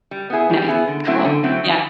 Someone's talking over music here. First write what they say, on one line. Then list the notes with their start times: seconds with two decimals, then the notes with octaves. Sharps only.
Nice, cool, yeah,
0.11 G3
0.30 B3 E4 G#4
0.50 G3
0.68 B3 E4 G#4
0.88 D3
1.07 F#3 A3 C4 E4
1.25 D3
1.43 F#3 A3 C4 E4
1.64 D#3